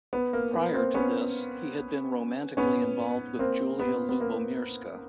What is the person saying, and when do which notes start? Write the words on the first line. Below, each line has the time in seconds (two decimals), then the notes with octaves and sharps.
Prior to this, he had been romantically involved with Julia Lubomirska.
0.13 B3
0.33 A#3
0.54 B3
0.74 A#3 C4
0.94 B3 C#4
2.57 B3 C#4
3.39 A#3 C4
3.80 B3
4.09 B3
4.21 A#3